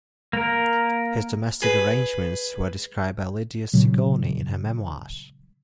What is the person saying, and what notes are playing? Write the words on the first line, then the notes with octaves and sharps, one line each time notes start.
His domestic arrangements were described by Lydia Sigourney in her memoirs.
A#3 A#4
G#4 B4
A#2 C#3 F#3